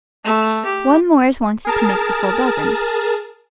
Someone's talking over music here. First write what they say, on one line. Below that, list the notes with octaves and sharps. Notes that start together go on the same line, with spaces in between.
One more is wanted to make the full dozen.
A3
G4
G#4 A#4 A5